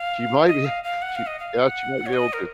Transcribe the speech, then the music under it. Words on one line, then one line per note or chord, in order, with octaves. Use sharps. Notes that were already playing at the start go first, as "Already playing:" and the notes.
She might be she yeah, she might be able to.
Already playing: F5
D#5
F5
F5
F#5
F5
D#5
F5
F#5
C#5
D#5
A#4